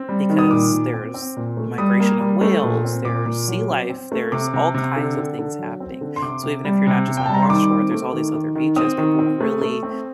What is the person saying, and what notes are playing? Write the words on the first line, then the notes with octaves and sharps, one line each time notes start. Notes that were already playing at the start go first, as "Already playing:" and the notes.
because there's migration of whales, there's sea life, there's all kinds of things happening, so even if you're not just on North Shore, there's all these other beaches. People really
Already playing: C4
G3
D#3
D#6
A#2 D6
A#2
C4
C4
A#2
A3
G3 D#6
A#3
G3
A3
A#2
C4
A#2 D6
A#2
F#3
C4
C4
A3
C3 D6
C3
C3
D3
D3
D3
F#3
C4
D3
C6
C3 D6
C3
G3
C3
C3
G5
A5
G3 A#5
C6
D#3 D6
C4
A3
D#3
D#3
D#3
C4 D#6
D#3
C4
A3
A3
C4